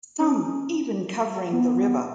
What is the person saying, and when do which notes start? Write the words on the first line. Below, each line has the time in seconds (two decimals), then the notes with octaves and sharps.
Some even covering the river.
0.20 C#4
1.53 B3